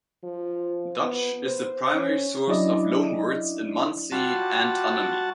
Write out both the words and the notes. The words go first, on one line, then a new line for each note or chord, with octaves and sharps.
Dutch is the primary source of loan words in Munsee and Unami.
F3
B3
C5
C#4
F#3 C#4 D4 E4 D5 D#5
G3 F4 F#4 A5